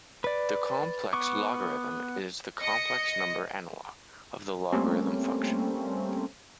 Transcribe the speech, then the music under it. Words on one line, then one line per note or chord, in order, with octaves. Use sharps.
The complex logarithm is the complex number analogue of the logarithm function.
B4 D5
B3 C#6 D6
D#5 A#6 C#7
G3 A3 A#3 C4 C#4